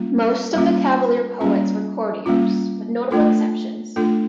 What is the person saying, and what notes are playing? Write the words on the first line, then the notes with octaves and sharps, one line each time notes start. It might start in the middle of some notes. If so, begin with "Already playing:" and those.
Most of the cavalier poets were courtiers, with notable exceptions.
Already playing: G3 A#3 C#4 F4
G3 A#3 C#4 F4
G3 A#3 C#4 F4
G3 A#3 C#4 F4
A3 D4 F4 A4
A3 D4 F4 A4